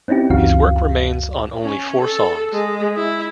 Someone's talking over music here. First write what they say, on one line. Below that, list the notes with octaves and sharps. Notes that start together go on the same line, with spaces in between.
His work remains on only four songs.
C4 C#4 D#4 E4 G4
C#2 F#2 E3 F#4 F5
C#4
A4
G#3
E4